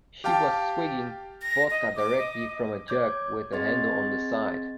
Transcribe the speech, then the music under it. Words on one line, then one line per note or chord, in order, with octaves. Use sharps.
She was swigging vodka directly from a jug with a handle on the side.
G4 F5 G5 A5
A#6
D#5
D6
D#5
C#5 D6 G6 G#6
C4 G#4 D#5 C6 G#6 A6